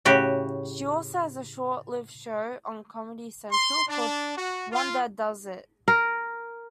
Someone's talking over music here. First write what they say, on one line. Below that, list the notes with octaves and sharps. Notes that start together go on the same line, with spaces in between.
She also had a short-lived show on Comedy Central called "Wanda Does It".
A2 C#3 F#4 G4
C6
D4
F#4
F4
A#4